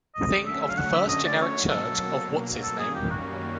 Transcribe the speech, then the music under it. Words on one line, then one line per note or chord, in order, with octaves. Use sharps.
Thing of the First Generic Church of What's-his-name.
D3 F#3 A3 C#4 D#5
E5
E5
F5
F#5
E5
D#5
D5
B2 F#3 A#3 C#5
A4
F#2 D#3 G3 A#3 C#4 A4
G#4
G4
F#4